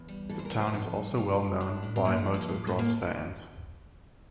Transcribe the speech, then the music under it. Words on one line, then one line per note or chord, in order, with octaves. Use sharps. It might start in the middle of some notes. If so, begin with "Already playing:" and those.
The town is also well known by motocross fans.
Already playing: E2
G3
E3 A4
C5
A#4
F2
C5
F2 A4
G3
G3 F4
G3
A2 D4
A2
C4
F3 A#3
A3
F3
A#3
A2
A2 A3
A#3